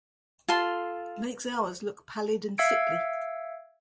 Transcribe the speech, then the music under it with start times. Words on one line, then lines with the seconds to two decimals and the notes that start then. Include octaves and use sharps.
It makes ours look pallid and sickly.
0.48 F4 A4 C6
2.58 E5 F5 E6 G#6 C#7 D7